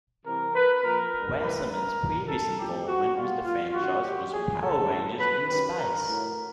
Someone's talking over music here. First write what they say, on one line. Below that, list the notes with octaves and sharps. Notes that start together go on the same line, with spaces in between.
Wasserman's previous involvement with the franchise was "Power Rangers in Space".
C3 E3 G3 A#4
B4
A#2 F3 A#4
A2 E3 G3 B4
A#4
A#2 G3
A4
A2 F3 G4
F#4
B2 G3 F4
F4
F#2 D#3 F#3 F#4
G4
A#2 F3 G#4
A4
A2 F#3
B4
F#2 D#3 G3 B4
A#4
A2 F#3